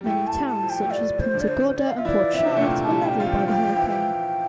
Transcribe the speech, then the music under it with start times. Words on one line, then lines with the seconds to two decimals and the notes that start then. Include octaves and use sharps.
Many towns such as Punta Gorda and Port Charlotte were leveled by the hurricane.
0.01 G3
0.05 A2 A3 G5
0.27 A5
0.34 G3
0.48 A5
0.62 F3
0.70 G5
0.82 A3
0.91 G3 D5
1.20 C5
1.34 D3 D4
1.41 D5
1.48 C5
1.77 D5
1.88 F5
1.96 F4 E5
2.05 E3 E4 D5
2.33 C4 E5
2.41 D4
2.47 C3 C4
2.57 A3
2.62 A#2 A#3 G5
2.83 A5
2.91 G3
3.05 G5
3.19 F3 F4
3.27 G5
3.48 F3 F4 G5
3.76 E3 E4
3.90 G5